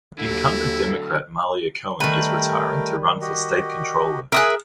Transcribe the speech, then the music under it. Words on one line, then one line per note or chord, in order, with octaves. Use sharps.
Incumbent Democrat Malia Cohen is retiring to run for state controller.
D#2 D3 F#3 E4 A4
D#3 G3 A3 A#4 B4 G5
F#4 G4 D#5
G#4 A#4 E5 D#6 F#6